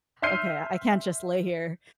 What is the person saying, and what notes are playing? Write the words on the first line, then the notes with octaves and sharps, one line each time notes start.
ok, I can't just lay here,"
E5 C6 F6 G6 C7 D#7